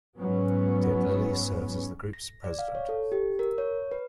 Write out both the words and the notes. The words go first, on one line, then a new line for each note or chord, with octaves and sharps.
Ted Lillie serves as the group's president.
G#2 F#3 B3 C#4
A#6
D5
F5
C#5
A4
G4
A#4
C#5
B4